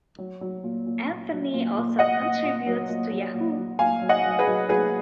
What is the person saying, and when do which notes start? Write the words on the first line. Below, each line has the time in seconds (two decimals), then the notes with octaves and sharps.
Anthony also contributes to Yahoo!
0.18 F#3
0.41 F#3
0.64 A#2
0.86 A#2
1.09 A#2
1.31 F#3
1.53 A#2
1.77 A#2
1.99 A#2 D#5 F#5
2.21 A#2
2.44 A#2
2.67 F#3
2.89 A#2
3.11 F#3
3.34 A#2
3.57 F#3
3.79 A#2 F5 G#5
4.02 F#3
4.09 D#5 F#5
4.24 F#3
4.39 G#4 B4
4.47 F#3
4.69 F#3 G#4 B4